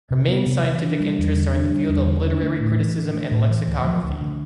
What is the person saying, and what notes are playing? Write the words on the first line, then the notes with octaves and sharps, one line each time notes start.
Her main scientific interests are in the field of literary criticism and lexicography.
C3
B3
C3
E3
D4
G3
E2
D3
D4
G3
E2
D3
D4
A3
A2
E3
D4
A3
A2
E3
D2
F3
D2
D3